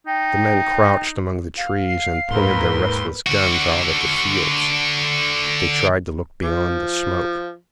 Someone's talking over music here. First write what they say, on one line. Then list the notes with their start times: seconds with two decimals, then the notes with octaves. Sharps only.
The men crouched among the trees and pointed their restless guns out at the fields. They tried to look beyond the smoke.
0.07 D#4 G5
1.57 F5
1.87 C7
2.31 D#2 G#2 A#4 B4 C6
3.27 D3 F#4
6.44 F3